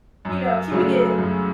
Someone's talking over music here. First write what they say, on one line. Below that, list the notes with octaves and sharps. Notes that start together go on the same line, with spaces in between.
you know, keeping it,
F#2
C#3 F#3 A3
F#2